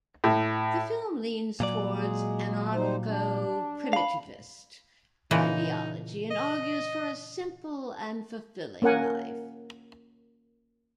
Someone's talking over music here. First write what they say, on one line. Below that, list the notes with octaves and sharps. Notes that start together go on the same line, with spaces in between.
The film leans towards anarcho-primitivist ideology and argues for 'a simple and fulfilling life'.
A2
A#2 F#3 D5
G#3 G#4
G3 D#4 C5
D4
F5 B5
A#2 C#3 E3 D#4
D#5
A#3 C#4 A#4 F#5 G#5